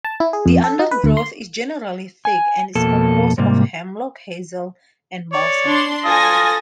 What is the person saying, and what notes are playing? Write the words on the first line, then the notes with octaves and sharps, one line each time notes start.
The undergrowth is generally thick and is composed of Hemlock Hazel and Balsam.
A5
E4
G#4
F2
A4
D#4
B4
D2
C6
G#5
F2 B2 A#3 A4
G#2 C3 G3 A#3
C#5 D5
D4 C6
F4 A4 G#5 A5 D#6 A#6